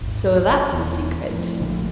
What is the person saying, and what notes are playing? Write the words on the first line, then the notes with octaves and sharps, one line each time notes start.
So that's the secret.
D#1 G#1
E1 E2
F2 A2
A#1 D3 A3